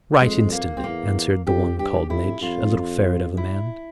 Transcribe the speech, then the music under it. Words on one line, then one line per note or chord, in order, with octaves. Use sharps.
"Right instantly," answered the one called Midge, a little ferret of a man.
F2 G#3
A#3
C4
E2 A#3
F2 G4
G2 G4
F2 E4
F2 F4
E4